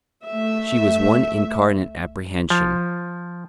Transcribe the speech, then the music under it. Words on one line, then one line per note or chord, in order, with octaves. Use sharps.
She was one incarnate apprehension.
A3 E5
F3